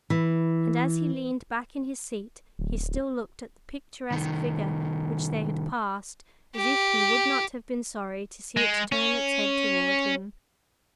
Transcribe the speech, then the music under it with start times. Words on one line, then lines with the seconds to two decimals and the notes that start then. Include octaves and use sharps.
And as he leaned back in his seat, he still looked at the picturesque figure which they had passed, as if he would not have been sorry to see it turn its head toward him.
0.10 E3
2.59 D1
4.11 C2 D#3
6.56 G4
8.57 G#3
8.92 C#4